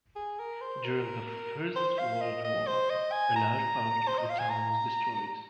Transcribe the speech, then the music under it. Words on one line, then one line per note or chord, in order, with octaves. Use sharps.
During the First World War a large part of the town was destroyed.
G#4
A#4
C5
A#4
C5
F5
D#5
D#5
C5
D#5
G#5
A#5
C5
D#5
F5
G#5
A#5